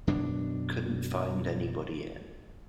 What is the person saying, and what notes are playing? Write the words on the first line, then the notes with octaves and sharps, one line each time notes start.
Couldn't find anybody in.
F#2 B2 D4